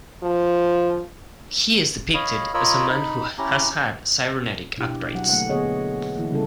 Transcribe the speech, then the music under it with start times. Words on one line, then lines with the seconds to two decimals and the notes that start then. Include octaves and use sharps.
He is depicted as a man who has had cybernetic upgrades.
0.23 F3
2.14 C#5 D#5 F5 B5
2.54 F4 A#4 C#5 D#5 B5 E6
2.89 D#4 B5
3.38 C#4 E4 G4 A#5
4.77 B2 D4 E4 G4
5.14 F#3 F#5
5.29 D3 F#3 A3 A#3 F#5
5.49 D3 B3 G#4 C#5 D#5
6.16 D3 E3 A3 A#3 E4
6.32 C#3 G3 C#4 E4 A4